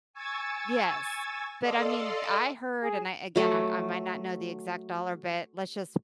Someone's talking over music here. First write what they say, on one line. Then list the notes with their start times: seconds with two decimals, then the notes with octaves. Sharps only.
Yes, but, I mean, th I heard, and I again, I I might not know the exact dollar, but let's just,
0.13 G#5 C#6 E6 G#6 A6
1.61 A4 D5 D#5 F5 C6 E6
2.83 G#4
3.36 F#3 A3